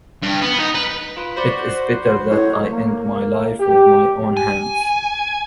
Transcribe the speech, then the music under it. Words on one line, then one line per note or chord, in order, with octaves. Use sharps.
It is better that I end my life with my own hands.
G2
B3
D#4
B4
F4 B4 B5
F#4 C5 D5 B5
A2 C#5
A#3
G4
G#5